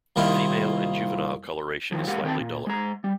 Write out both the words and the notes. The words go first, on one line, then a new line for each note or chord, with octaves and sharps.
Female and juvenile coloration is slightly duller.
C2 D#3 A#3 E4 F4
D#3 F3 F#3
F#3 G#3 G4 A#4 F5 F#5
D#3 C4 B4 D#5 G5 A5
A#2
G#3 A#5
G3